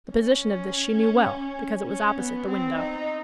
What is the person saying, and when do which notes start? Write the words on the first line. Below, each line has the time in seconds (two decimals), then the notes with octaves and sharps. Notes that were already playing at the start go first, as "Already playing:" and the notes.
The position of this she knew well, because it was opposite the window.
0.13 C#4
1.88 C#4
2.18 B3
2.48 C4
2.78 D#4